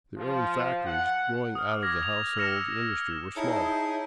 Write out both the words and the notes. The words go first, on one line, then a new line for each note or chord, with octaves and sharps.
The early factories growing out of the household industry were small.
F3
F#5
D#6 F6
D6 F6 G#6 A#6
F7
E6 F6 A#6 C#7 E7
D#4 E4 G#4 C#5 A5 A#5